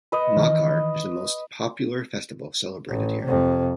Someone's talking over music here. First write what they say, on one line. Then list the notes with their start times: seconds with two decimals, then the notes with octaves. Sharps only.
"Makar" is the most popular festival celebrated here.
0.12 B4 D#5
0.37 D#3 E3
2.89 A1
3.24 F2 C3